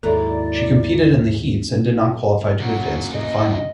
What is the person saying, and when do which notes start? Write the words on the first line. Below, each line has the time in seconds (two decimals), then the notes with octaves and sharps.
She competed in the heats and did not qualify to advance to the final.
0.03 D#2 G#2 F#3 E4 A4 D5 A#5
2.59 C#3 F#3 A#3
3.12 D#5